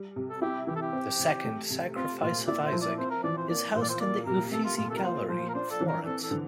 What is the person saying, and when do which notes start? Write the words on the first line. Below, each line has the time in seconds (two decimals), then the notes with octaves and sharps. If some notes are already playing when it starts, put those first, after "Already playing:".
The second "Sacrifice of Isaac" is housed in the Uffizi Gallery, Florence.
Already playing: G3
0.16 C3
0.30 A4
0.42 E4 G4
0.67 E3 G4
0.76 A4
0.82 G4
0.93 C4
1.19 C3
1.45 A3
1.70 C3
1.96 C4 F4
2.21 A#2 F4
2.47 E4 D5
2.64 C5
2.72 F3
2.82 D5
2.98 C4 C5
3.11 A#4
3.24 E3 D5
3.37 C5
3.49 A#3 D5
3.75 A#2 C5
3.82 D5
3.89 C5
4.01 A#3 D5
4.26 C3 A#4
4.52 A3 A4
4.65 F4
4.77 A#2 F4
4.90 A4
4.97 A#4
5.03 F4 C5
5.29 F3 C5
5.49 A#4
5.54 D4 C5
5.71 A4
5.81 E3
5.88 A#4
6.05 C4 A4
6.23 A4
6.31 D3